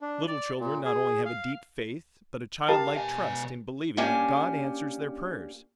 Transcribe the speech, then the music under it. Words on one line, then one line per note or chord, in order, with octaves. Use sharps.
Little children not only have a deep faith but a childlike trust in believing that God answers their prayers.
D4
D5
A#2
G#4
F5
G4 A#4 F5 A5
B2 G#5
A#3 C#4 D4 G4 G#5